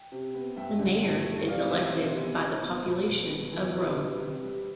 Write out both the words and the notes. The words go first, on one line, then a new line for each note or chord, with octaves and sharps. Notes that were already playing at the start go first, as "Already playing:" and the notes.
The Mayor is elected by the population of Rome.
Already playing: G5
C3
B3
G2 E5 G5
D3
G2
A3
C3 D5 F5
E3 C5 E5
C3 C5
B3
B3
B3
B2 B4
B2
B3
E3
C3 B4
G3
C3
G3